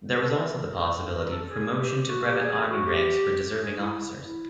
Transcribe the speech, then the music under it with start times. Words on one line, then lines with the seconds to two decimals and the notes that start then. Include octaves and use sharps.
There was also the possibility of promotion to brevet army ranks for deserving officers.
0.14 G#4
0.24 A4
0.38 A#4
1.16 A#4
1.31 A4
1.47 G#4
1.77 G4
2.08 F#4
2.24 G4
2.39 G#4
2.70 F#4
2.85 G4
3.62 G#4
3.77 E4
4.24 E4